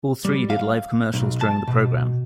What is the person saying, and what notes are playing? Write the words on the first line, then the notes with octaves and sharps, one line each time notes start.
All three did live commercials during the program.
G3
F5
B1
A5
B2